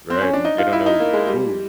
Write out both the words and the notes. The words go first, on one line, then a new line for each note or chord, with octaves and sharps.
Right. And they don't know who
C4
C#4
D4
D#4
F4
E4
D#4
A#3
G#3
G3